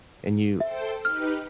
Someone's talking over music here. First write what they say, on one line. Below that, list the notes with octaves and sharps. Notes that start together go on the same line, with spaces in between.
and you
A4 C5 E5 G5
D#4 G4 B4 F6